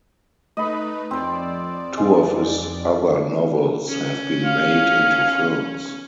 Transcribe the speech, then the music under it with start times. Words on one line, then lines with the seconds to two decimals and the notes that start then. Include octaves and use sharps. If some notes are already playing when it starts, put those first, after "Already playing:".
Two of his other novels have been made into films.
0.57 A3 D#4 B4 D#5 B5
1.11 F2 C4 C5 D5
1.97 G#3
3.89 C#4
4.44 F5